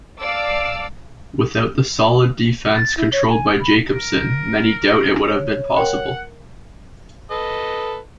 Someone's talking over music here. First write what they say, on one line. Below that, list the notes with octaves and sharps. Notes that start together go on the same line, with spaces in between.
Without the solid defence controlled by Jakobsson, many doubt it would have been possible.
D5 F5 A5 D6 E6
A6
E4
C#5
G#5
B5
A#4
C#5
A#4 F#5 G5 C6
A4 B4 D#5